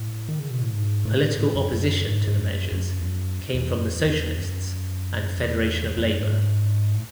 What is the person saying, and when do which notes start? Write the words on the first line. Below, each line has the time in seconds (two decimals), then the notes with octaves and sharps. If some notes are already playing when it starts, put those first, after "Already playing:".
Political opposition to the measures came from the socialists and Federation of Labour.
Already playing: A2
0.29 D#3
0.40 C#3
0.50 B2
0.61 A2
0.72 G#2
1.05 A2
1.39 A2
1.55 F#2
1.72 F#2
2.06 G#2
2.27 G#2
2.38 F#2
2.72 F#2
3.00 E2
3.05 F#2
3.55 E2
3.71 F#2
3.88 E2
4.05 E2
4.38 F#2
5.38 E2
5.98 E2
6.04 F#2
6.21 G#2
6.95 A2